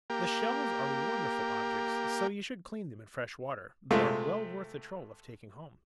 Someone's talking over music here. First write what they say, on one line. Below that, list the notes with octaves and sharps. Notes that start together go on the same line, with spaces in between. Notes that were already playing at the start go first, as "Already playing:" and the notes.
The shells are wonderful objects, so you should clean them in fresh water; they are well worth the trouble of taking home.
A#3 G4
C3 G#3 A3 F4